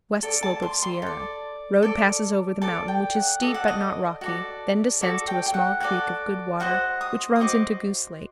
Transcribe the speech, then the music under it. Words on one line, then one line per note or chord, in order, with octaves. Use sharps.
West Slope of Sierra.--Road passes over the mountain, which is steep but not rocky, then descends to a small creek of good water which runs into Goose Lake.
A4 D5
A5
C6
C6
A4 D5
A4 D5
A4 D5 A5
G5
F#5
F#4 A4 D5 D#5
F#5
D#5
F#4 A4 D5
F#4 A4 D5
G5
G5
F#5
F#4 A4 D5 F#5
F#4 C5 D#5 F#5
D#6
D#6
F#4 C5 D#5 D6